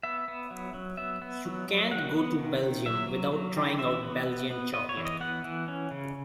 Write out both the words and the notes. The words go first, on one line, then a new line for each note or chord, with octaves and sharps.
You can't go to Belgium without trying out Belgian chocolate.
B3 E5
B3
F#3
F#3
B3 E5
B3
F#3
F#3
D#3 F#5
B3
D#3
D#3
F#3 E5
F#3
F#3
D#3
E3 E5
B3
B3
B3
B3 D#5
C#5
E3
D#5
B3 F#5
E3
C#4
C#3